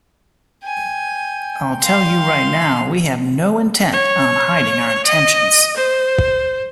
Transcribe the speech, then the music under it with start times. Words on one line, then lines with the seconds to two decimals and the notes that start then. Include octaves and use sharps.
I'll tell you right now, we have no intent on hiding our intentions.
0.63 G5 G#5
1.81 F5 C6
3.93 C#5
5.06 D#5
5.77 C5